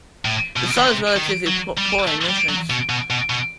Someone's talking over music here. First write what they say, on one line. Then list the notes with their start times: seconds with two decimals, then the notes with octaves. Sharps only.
The soil is relatively poor in nutrients.
0.25 A2
0.56 B2
0.77 D#3
0.86 C3
1.16 D#3
1.47 F#3
1.78 G3
2.08 A3
2.29 G3
2.49 F#3
2.70 B2
2.89 B2
3.10 B2
3.30 B2